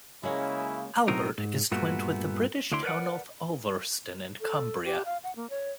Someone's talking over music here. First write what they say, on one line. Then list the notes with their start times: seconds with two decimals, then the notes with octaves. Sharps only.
Albert is twinned with the British town of Ulverston in Cumbria.
0.23 C#3 F#3 G#3 A#3 C#4 E4
1.08 B1 A2 F#3 C4 D#4 A#4
1.38 G#2
1.72 G2 A#2 A3 B3 F#4
2.72 D2 D3 E4 D5 C6
2.83 A#4 B4 C#5 D5 F#5
4.41 A4
4.85 G4
5.05 F5
5.23 F#5
5.36 A#3
5.50 C#5